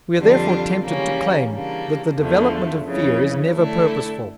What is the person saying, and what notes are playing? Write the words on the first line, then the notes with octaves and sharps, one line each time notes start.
We are therefore tempted to claim that the development of fear is never purposeful.
F2 D3 G3 D4 F4
C#3 E3 G3 A#3 C#4
C#3 E3 G3 A#3 D4
E2 D3 F3 A3
F2 C#3 E3
D3 A3 E4 A4